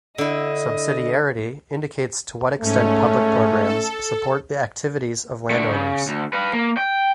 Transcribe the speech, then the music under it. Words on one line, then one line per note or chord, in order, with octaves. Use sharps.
Subsidiarity indicates to what extent public programs support the activities of land owners.
D3 E4 D#5
G#2 A3 C#4
A4
A3 D4
C#3
D2
B4 F5
A#3
G5